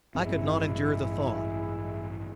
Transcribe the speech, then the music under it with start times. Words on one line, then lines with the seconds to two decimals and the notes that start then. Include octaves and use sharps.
I could not endure the thought.
0.15 A1 G2 G#3 C4 E4